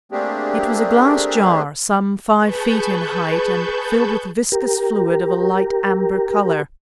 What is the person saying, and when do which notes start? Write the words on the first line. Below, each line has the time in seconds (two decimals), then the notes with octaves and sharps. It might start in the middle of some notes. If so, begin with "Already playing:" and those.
It was a glass jar, some five feet in height and filled with viscous fluid of a light amber color.
0.12 A3 A#3 C4 D4 G4 G#4
2.40 G#4 B4 A5 B5 C#6 G6
4.52 G4 A#4